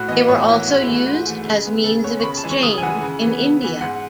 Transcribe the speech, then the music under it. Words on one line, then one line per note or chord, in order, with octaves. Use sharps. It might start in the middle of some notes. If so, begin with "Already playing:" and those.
They were also used as means of exchange in India.
Already playing: A2 F#4
E3 B3 D#5
A2 C#5
E3 B3 E4
G#2 F#4
E4
E3 A3
F#4
G#2
E3 A3
C#3
G#3 B3
C#3 A4
G#3 B3 C#5
C#6
C#3 B5
A5
E3 G#3
C#6
C#3 D#6
G#5
E3 G#3 F#5
C#3
E3 B3
C#3
E3 B3
G#2 F#5